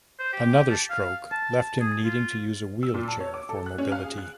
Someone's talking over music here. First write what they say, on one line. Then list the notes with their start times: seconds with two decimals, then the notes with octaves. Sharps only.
Another stroke left him needing to use a wheelchair for mobility.
0.19 C5
0.33 G4
0.70 A5
0.90 F5
1.32 A5
1.81 G#4
2.04 F4
2.83 E6
2.94 A#2
3.08 A5
3.20 C#5
3.34 D6
3.49 A4
3.66 F#6
3.78 C#4
3.92 F5
4.04 G#4
4.18 F#6